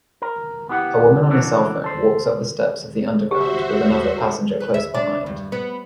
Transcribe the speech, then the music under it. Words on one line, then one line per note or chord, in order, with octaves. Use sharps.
A woman on a cellphone walks up the steps of the underground with another passenger close behind.
A#4
B3 E4 G4 E5 F#5
C#3 E3 A#3 D4 F#4 A4
A4 C5
F#4 G4 C5 E5
B4
E5
D4
G2
B3